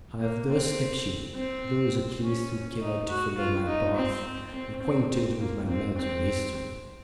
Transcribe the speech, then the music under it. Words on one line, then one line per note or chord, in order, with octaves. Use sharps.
I have thus kept you, those at least who cared to follow my path, acquainted with my mental history.
A#3
C4
C4
C#4
D#4
F#4
F4
D#4
C4
C4
C4
C4
A#3
C4
C4